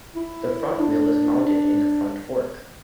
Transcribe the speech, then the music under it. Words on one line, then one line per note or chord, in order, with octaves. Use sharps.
The front wheel is mounted in the front fork.
E4
D4
D4